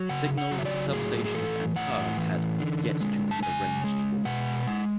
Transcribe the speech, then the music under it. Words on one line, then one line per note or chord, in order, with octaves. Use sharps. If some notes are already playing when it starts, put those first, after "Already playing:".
Signals, substations and cars had "yet to be arranged for".
Already playing: F#3
C#3 F#5
F#5
F#3
E5
D5
A2 G#4
G#4
E3 A4
A2 F#5
E3
D3
G#3
A5
C#3 G#5
G#3
B2 F#5
G#3